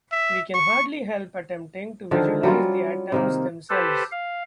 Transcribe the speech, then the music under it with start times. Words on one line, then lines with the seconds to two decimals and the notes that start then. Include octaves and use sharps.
We can hardly help attempting to visualize the atoms themselves.
0.12 E5
0.54 C#6
2.11 D3 D#3 F3
2.43 F#3 G3 C#4 F4
3.12 C3 D#3 A#3
3.70 G4 A4 B4 C5
4.12 F5